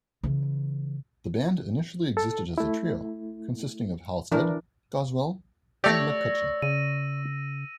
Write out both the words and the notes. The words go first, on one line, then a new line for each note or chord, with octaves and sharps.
The band initially existed as a trio, consisting of Halstead, Goswell, and McCutcheon.
C#3 E3
A4
A3 E4
E3 D4 A#4
A3 G4 C#5 D5 E6 A#6
C#3 D#7